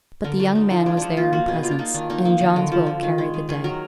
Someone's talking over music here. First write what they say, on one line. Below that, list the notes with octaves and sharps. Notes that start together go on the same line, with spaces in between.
But the young man was there in presence; and John's will carried the day.
D3 A#4
F#3 D4
D3 D#4
F3 D#4
G#3 D4
F3 D4 D#4
A#3 F4
A#3 F#4
B2 G#4
A#3 F4
D4
A#3 D#4
D#3 D4
A#3 D#4
A#3
D#3 F#4
D3
F3
D3
D#3
G#3
D#3
D#3 G#4
F#3 A#4